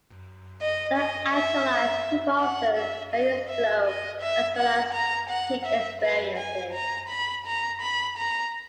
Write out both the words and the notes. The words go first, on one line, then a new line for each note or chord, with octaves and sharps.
Self-actualized people often experience flow, as well as peak experiences.
D#5
D#5
E5
F#5
E5
D#5
E5
D#5
E5
F#5
A#5
F#5
E5
B4
G#5
A#5
B5
A#5
B5
A#5